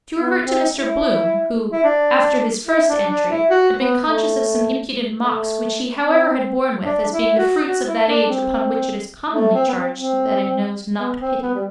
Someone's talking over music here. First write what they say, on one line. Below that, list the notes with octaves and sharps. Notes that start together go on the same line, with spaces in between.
To revert to Mr Bloom who, after his first entry, had been conscious of some impudent mocks which he however had borne with as being the fruits of that age upon which it is commonly charged that it knows not pity.
B3
C4
E4
E4
D4
E4
D4
D4
E4
F#4
B3
A3
A3
C4
D4
E4
F#4
F#4
E4
D4
C4
A3
C4
B3
C4
C4
B3
C4
B3
G3